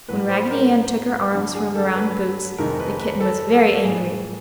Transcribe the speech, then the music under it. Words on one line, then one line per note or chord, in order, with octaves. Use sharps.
When Raggedy Ann took her arms from around Boots, the kitten was very angry.
A2 F#3 B4
C5
A#4
G2 D3 F#3
G#4
A4
B4
F2 C3 D#3 G#3 A#4
B4
B4
A4
A4
A2 E3 G3 G#4